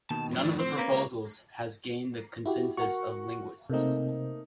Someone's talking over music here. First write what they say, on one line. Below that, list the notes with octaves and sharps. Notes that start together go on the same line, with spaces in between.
None of the proposals has gained the consensus of linguists.
D#2 B2 D#3 A5
F#2 A2 F3 D4
C4 C5
A#3 C#4 B4
C#2
E4 F#4 G4
F#4 A#4 F#5 C#6
C3 A3 A#3 C4 D#4